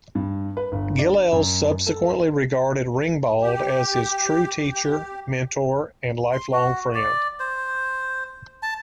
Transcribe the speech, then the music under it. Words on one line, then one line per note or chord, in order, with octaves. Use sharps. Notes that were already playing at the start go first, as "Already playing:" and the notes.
Gilels subsequently regarded Reingbald as his true teacher, mentor and lifelong friend.
G2
B4
G1
D5
F#2
A4
G4
G4
C6
F#4
D5
C5
A5